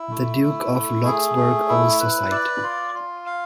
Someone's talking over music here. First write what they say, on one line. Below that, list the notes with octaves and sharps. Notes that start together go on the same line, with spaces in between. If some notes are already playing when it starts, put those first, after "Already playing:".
The Duke of Roxburghe owns the site.
Already playing: E4
A3
E4
A3
G#4
A3
E4
B4
D5
F4
F4
F5